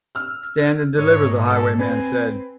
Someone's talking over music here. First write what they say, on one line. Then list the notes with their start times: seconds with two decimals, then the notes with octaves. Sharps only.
Stand and deliver, the highwayman said.
0.15 E6 F6
0.99 G#2 C#5
1.47 A4
1.79 C4 B4 G#5